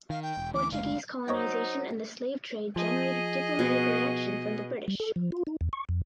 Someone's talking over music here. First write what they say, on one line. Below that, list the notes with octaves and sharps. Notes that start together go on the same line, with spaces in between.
Portuguese colonization and the slave trade generated diplomatic reaction from the British.
D#3 F5
G5
E1
D2 E3 D6
F#1 D2 G#3 F5
F#3 D#4 C5 C#5 D#5 G5
F3 G#4 D#5
B2
G3
A4
F3
F4
D#4
E2
C#6
F2